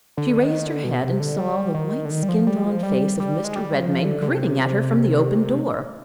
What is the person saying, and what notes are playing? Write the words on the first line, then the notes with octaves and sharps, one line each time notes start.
She raised her head, and saw the white, skin-drawn face of Mr. Redmain grinning at her from the open door.
D3
D#3
D3
B2
C3
D3
G3
D#3
D3
D#3
G3
F3
G3
F3
G3
G3
G#3
G3
F3
D3
D3
C3